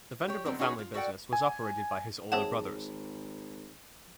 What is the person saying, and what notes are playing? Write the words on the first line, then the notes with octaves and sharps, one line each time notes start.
The Vanderbilt family business was operated by his older brothers.
G4 C#5
D3 F#3 G#3 B3 C4
C#4 D#4 F#4 G#4 B4 C#5
F4
F#4 A4 D5 F#5 G5
G#5
G#1 C4 G#4 C#5 E5 F#5 A5